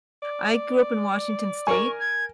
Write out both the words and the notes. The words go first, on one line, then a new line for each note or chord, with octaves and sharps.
I grew up in Washington state.
D5
A#4 G#5 C#6
G#6